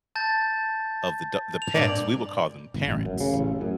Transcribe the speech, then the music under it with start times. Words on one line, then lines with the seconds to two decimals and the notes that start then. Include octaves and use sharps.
of the do the pets, we would call them parents.
0.15 A5 G6 A6
1.62 F7
1.75 G2 A#2 D5
2.74 G1
2.88 A1
3.05 F#2
3.20 C#3
3.34 A1
3.61 F#2